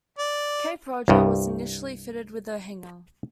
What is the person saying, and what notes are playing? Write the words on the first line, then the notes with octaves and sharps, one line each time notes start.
"Cape Roger" was initially fitted with a hangar.
D5
C2 G2